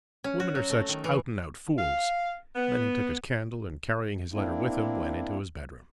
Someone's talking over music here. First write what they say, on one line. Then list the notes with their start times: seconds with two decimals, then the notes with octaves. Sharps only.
"Women are such out-and-out fools." Then he took his candle, and carrying his letter with him, went into his bedroom.
0.24 C#4
0.40 F#4
0.55 F#3
0.69 A3
0.89 D#3
1.04 E3
1.78 F5
2.56 B3
4.33 A#3 C4 D4 E4